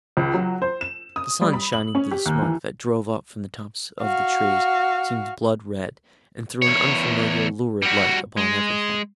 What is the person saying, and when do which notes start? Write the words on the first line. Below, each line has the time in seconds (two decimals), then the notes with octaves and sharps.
The sun, shining through the smoke that drove up from the tops of the trees, seemed blood red, and threw an unfamiliar lurid light upon everything.
0.17 C#2
0.34 F#3
0.62 C5
0.81 E7
1.16 D#6
1.41 G3
1.53 B5
1.73 F#7
1.95 C#4
2.11 G4
2.26 D#2
2.43 E3
4.02 F#4 F5
6.62 E2 C#5
7.82 G3 F#4
8.37 G#3